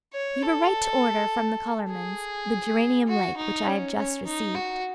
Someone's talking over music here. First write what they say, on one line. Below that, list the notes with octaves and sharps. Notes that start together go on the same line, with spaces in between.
You were right to order from the colourman's the geranium lake which I have just received.
C#5
A4
G#4
F#4
D#4
C#4
C#4
D#4
F#4